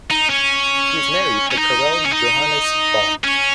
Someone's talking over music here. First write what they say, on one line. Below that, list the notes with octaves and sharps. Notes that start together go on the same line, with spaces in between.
She is married to Karel Johannes Wahl.
D#4
C#4
C#4
D#4
C#4
D#4
C#4